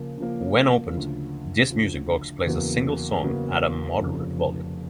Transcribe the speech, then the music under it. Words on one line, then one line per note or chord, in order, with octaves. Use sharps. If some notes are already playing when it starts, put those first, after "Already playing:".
When opened, this music box plays a single song at a moderate volume.
Already playing: C#3 F3 A#3
C#3 F3 A#3
D2 C#3 F3
D2 C#3 F3
E2 C#3 F#3 A#3
E2 C#3 F#3 A#3
F1 F2 C#3